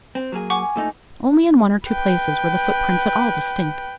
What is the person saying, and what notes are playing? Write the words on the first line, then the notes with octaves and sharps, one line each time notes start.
Only in one or two places were the footprints at all distinct.
C4
F#3 A#3 G#4
F#5 G#5 C#6 D6
G#5
A#2 A3 D#4
B4 G5